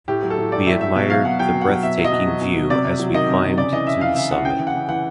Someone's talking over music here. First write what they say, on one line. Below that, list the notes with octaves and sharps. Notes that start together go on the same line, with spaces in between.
We admired the breathtaking view as we climbed to the summit.
A2 G4
F#3
A4
A2
F#3 D5
A2 E5
F#3 E5
B2 E5
F#3 F5
B2 F#5
F#3 G5
B2
F#5
F#3
B2 E5
F#3
D#5
B2
F#3
B2
F#3
C3 D5
C3
F#3
D#3 D#5
C3
C3
C#3 D5
E3 D#5
C#3 E5
E3 F5
C#3 E5
E3 F#5
C#3 G5
E3
F#5
C#3
E3 F#5